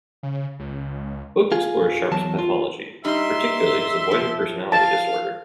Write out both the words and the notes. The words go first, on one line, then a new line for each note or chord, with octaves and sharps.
The book explores Sharpe's pathology, particularly his avoidant personality disorder.
C#3
C#2
F4 G#4
E2 F#3 A5
F4
G3 D#4 E5 C6
F3
F5 A5